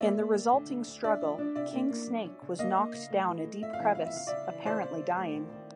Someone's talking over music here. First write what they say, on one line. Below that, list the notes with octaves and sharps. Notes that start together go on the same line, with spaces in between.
In the resulting struggle, King Snake was knocked down a deep crevice, apparently dying.
A#3 D5 E5
A#3
D2
D3
D2
D2
D4 D5 E5
F3
D4
C3 D5 E5
A#3
A#3
F#3
C#4
C#3
A#3 D#5 F5
A#3
C#3
A3
E3
A3
A3 E5
F5
E3 E5
E3 F5
E5
C#3 F5
C#3 D5 E5
E3
C#3 C5 D5
C#3
G3
D2
D#3
D#3